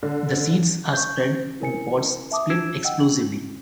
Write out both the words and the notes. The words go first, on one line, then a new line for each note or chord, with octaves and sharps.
The seeds are spread when the pods split explosively.
D3
C#6 G6
E4 A#4 G#5 C#7
E5 A5 D6 D#6
D4 F4 E6 G#6 D7 E7
D#5 F#5 G5 E6
F#7